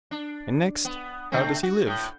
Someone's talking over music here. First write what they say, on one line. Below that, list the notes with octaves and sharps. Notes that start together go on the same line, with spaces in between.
And next, how does he live?
D4
B3
D3 A3 C4
F#4
A2